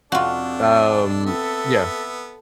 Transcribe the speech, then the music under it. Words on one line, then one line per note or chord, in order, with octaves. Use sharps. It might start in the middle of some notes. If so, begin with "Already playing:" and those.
Um, yeah.
F2 C3 D4 F4 F#4 A4
B3 C4 A4 E5